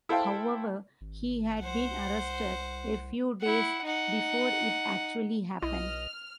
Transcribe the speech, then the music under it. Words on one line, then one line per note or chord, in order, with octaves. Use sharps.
However, he had been arrested a few days before it actually happened.
E4 A4 C5 F5 G5
G#1
C2 C5 F#5
E4 F#5
D#4 F#5
B1 E4 D#5 F6